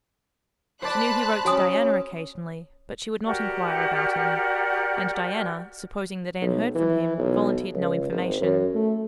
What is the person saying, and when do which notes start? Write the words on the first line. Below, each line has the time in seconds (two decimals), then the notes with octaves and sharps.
She knew he wrote to Diana occasionally, but she would not inquire about him; and Diana, supposing that Anne heard from him, volunteered no information.
0.82 C5 D5 A5 B5 F#6
1.45 C#4 F#4 G#5 D#6
3.25 F#4 G4 A#4 D5
6.42 B1
6.75 E3
7.18 B1
7.74 C#2
8.12 G#1
8.41 F#2
8.75 A3